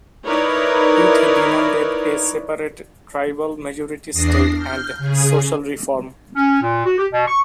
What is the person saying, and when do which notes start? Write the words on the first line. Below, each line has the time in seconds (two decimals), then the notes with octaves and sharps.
It demanded a separate tribal-majority state and social reform.
0.26 D#4 E4 A#4 B4 C#5 D5
4.13 E2 D4 D#6 A#6 C7
4.53 F6 G6
4.98 C#3 G#4
6.36 C#4
6.62 A#2
6.85 F#4
6.97 G4
7.13 B2
7.28 C#6